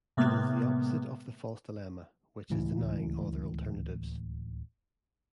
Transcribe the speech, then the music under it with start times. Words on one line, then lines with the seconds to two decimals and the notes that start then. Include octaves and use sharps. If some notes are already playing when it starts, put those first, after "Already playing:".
It is the opposite of the false dilemma, which is denying other alternatives.
0.17 A2 C3 G#3 A#3 B3
2.50 D1 C#2 A2 E3